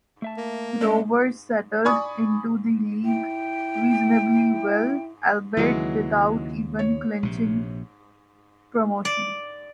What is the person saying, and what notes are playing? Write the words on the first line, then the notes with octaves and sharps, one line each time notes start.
Rovers settled into the League reasonably well, albeit without ever clinching promotion.
A3 E5 A5
A#3
G#3 A3 C#4 D4
D5 G#5 B5 C#6 D#6
E4 G5
D#2 C#3 E3 F#3 G#3
C#5
A#1 C3
D5